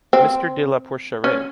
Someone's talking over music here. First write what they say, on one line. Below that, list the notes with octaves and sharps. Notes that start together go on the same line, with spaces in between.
Mister de la Porcheraie.
C4
C#4